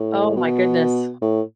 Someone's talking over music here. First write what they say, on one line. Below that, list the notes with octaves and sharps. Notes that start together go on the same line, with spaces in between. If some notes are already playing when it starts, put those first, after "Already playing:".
Oh my goodness.
Already playing: A2
B2
A2